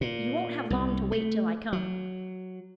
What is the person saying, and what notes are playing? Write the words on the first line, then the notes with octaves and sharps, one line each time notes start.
You won't have long to wait till I come.
A#2
C2
A3
F#3